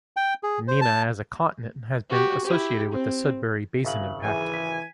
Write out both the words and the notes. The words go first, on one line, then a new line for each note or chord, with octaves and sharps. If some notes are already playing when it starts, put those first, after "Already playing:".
Nena as a continent has been associated with the Sudbury Basin Impact.
G5
G#4
C5
A5
F#4 G4
E4 G4
C4
G#1 C#3 F#3 E5 F5 F#7
E3 G#4 E5 G#5
B6